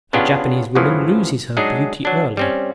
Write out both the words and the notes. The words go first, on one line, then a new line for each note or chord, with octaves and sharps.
A Japanese woman loses her beauty early.
C#3 B3 C#4 D4 F4 G4
F#2 A2 C#3 E3 F3
F#3 G#3 D4 D#4 G#4
F#3 D4
G3 C4 C#4